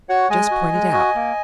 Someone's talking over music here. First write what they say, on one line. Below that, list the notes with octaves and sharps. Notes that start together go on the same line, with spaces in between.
Just point it out.
F#4 C#5 F#5
G#3 D#5 G#5
F#4
G#3
F#4
A#3